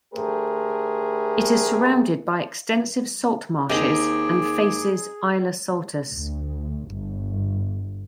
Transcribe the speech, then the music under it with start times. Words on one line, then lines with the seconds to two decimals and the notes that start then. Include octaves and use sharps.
It is surrounded by extensive salt marshes and faces Isla Saltes.
0.14 D3 A3 G4 G#4 A#4 C5
3.70 D#2 C4 D#4 G#4 D6
6.13 D2
6.90 G1